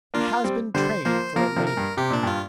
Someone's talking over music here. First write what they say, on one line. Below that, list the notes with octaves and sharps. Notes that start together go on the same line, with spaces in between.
It has been trained for a lady.
A#3 D4 F4
G3 C4
D3 G3 C5
F3 A#3 C5
F3 A#3 A#4
C3 F3
A#4
G2
C3 G4
A#2 D4
G2 F4